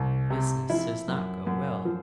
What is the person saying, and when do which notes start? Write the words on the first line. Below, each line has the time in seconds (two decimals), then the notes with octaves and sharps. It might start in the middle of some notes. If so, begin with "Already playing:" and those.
'Business does not go well.
Already playing: C2
0.30 C3
0.70 F3 E4
1.08 F#2
1.47 F#2
1.85 F3